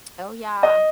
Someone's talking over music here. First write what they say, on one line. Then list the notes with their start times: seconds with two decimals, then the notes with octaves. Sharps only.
Oh, yeah.
0.63 D#5